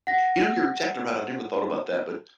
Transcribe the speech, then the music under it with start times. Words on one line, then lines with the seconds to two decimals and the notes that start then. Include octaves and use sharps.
You know, you're exactly right, I've never thought about that, but
0.07 F#5 A#6